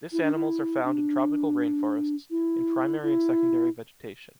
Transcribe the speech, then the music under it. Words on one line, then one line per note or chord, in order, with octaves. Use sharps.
This animals are found in tropical rainforests, in primary and secondary vegetation.
E4
D4
E4
D4
E4
E4